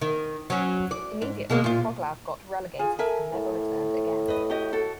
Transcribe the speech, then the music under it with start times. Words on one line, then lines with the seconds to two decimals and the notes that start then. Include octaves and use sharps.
Immediately, Troglav got relegated and never returned again.
0.01 D#3
0.50 F#3 C#4
0.91 D5
1.22 G#2
1.50 B2 G#3 A#3
1.64 A#2 F4
2.79 F4 G#4
2.99 A4 A#4 E5 G#5
3.34 A2
4.28 B4 D#5
4.50 F#4 G4 D#5
4.73 F#4 A4